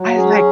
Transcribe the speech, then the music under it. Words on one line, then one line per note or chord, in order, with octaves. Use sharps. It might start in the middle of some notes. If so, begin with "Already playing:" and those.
I was like
Already playing: F#3
C#4 G#4